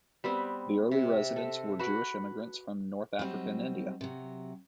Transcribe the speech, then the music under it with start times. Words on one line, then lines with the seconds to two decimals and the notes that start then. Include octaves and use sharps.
The early residents were Jewish immigrants from North Africa and India.
0.24 G3 B3 C4
0.91 C3
1.36 A4
1.79 F#4 B4
3.19 F#3 G3 C4 D#4
4.01 C3 F#3